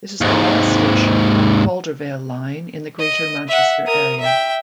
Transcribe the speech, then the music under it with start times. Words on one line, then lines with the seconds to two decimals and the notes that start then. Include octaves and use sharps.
This is the last station on the Caldervale Line in the Greater Manchester area.
0.21 D#2 G#2
2.99 D#5
3.48 E5 F#5
3.86 A#4 D#6
4.20 E5 G5